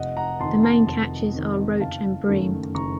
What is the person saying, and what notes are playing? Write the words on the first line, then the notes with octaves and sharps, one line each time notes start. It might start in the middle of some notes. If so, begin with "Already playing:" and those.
The main catches are roach and bream.
Already playing: F1 D#5 F#5
F#5 A#5
F2 D#3 A5 C6
A5 C6
F1 A5 C6
F2 D#3
F#1 F5 A5
F#2 D#3 A3
F#1 A#5 C#6